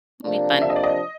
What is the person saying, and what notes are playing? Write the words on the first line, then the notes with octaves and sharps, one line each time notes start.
it'll be fun.
C3 F3 A#3 D4
E5
D#5
D5
D#5